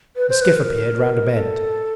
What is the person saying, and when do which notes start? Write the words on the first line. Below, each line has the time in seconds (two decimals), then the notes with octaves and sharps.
The skiff appeared round a bend.
0.16 B4
0.29 C5
0.41 B4
0.55 A#4
1.33 A4